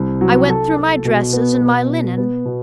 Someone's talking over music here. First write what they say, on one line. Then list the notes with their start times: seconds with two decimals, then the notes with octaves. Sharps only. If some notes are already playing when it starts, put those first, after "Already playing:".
I went through my dresses, and my linen.
Already playing: C2 C3
0.21 F#3
0.49 A4
0.77 A4
1.05 B2
1.33 B3
1.61 B2
1.90 B2
2.17 B3
2.45 B2